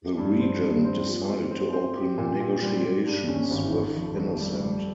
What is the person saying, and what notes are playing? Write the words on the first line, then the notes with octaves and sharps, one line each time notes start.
The regent decided to open negotiations with Innocent.
G2
C4
G2
C4
F3
C4
C4
C4
G4
A#2
A#2
G3
G3
G2
C#4
G#1
D#3
F2
F2
G3
G3